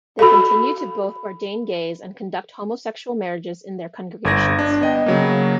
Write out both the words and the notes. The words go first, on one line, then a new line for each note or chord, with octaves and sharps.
They continue to both ordain gays and conduct homosexual marriages in their congregations.
F#4 A4 F5 B5
G1 G#6 A#6
D4
B3 D#5 G5
C#3 F#3 A#3